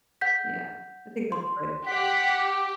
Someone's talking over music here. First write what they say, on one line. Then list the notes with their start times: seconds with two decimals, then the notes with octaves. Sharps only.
Yeah, I think that's a great idea.
0.21 F#5 G6 B6
1.32 C6
1.86 G4 F#5 B6
2.36 D6